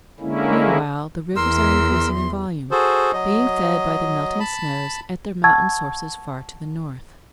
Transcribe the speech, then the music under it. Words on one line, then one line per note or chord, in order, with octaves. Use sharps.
Meanwhile the rivers are increasing in volume, being fed by the melting snows at their mountain sources far to the north.
D3 G#3 A#3 C#4 E4
E2 A#4 C6 E6
F#4 G#4 A4 C5
F#3 D#5
A5 B5
F#5 A5 C#6 E6 G#6 A6